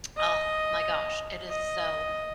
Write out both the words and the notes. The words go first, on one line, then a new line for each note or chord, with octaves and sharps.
Oh my gosh, it is so,
D#5
D#5